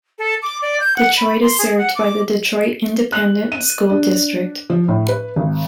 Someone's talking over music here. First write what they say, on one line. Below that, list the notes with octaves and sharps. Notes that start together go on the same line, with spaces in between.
Detroit is served by the Detroit Independent School District.
A4
D6
D5
G6
F#5
B5
C6
G#4
F#5
D6
F#6
D#7
D4
F3
A2
B4
G#1